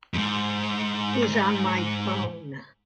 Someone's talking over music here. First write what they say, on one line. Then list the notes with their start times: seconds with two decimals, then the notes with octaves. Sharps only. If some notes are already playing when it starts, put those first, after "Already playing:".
He's on my phone.
0.14 F2 G#2